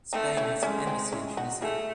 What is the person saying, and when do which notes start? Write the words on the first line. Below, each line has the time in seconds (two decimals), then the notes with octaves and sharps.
Spain has an embassy in Tunisia.
0.13 A3 C4 D#4
0.37 C#4 E4
0.63 G#3 C#4 E4
0.87 C4 D#4
1.12 C#4 E4
1.37 D#4 F#4
1.61 A3 E4 G#4